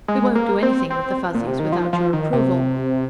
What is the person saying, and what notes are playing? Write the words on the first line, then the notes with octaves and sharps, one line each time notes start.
We won't do anything with the Fuzzies without your approval.
G#3
A#3
C4
C4
A#2
C3
D#3
F3
F3
D#3
C3